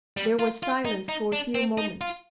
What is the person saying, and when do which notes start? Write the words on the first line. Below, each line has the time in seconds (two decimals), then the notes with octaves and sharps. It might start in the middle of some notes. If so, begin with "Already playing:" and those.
There was silence for a few moments.
0.17 G3
0.39 F4
0.63 F4
0.85 D#4
1.09 D#4
1.32 D4
1.55 C4
1.78 D#4
2.01 F4